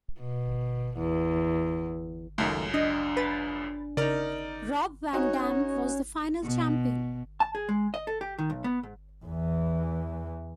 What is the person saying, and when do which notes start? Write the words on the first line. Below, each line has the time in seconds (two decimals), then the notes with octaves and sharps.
Rob Van Dam was the final champion.
0.20 B2
0.98 E2
2.38 C#2 F#2 D#3 A3
2.74 D4 D#5
3.17 B4 B5 A6
3.97 C#3 D#4 A#4 D5 F6
5.13 C#4 D#4 F#4 C#5
6.43 B2
7.40 A5
7.55 G#4
7.69 G#3
7.94 D#5
8.07 A4
8.21 G4
8.38 D#3
8.50 B1
8.64 B3
8.83 G#2
9.26 E2 E3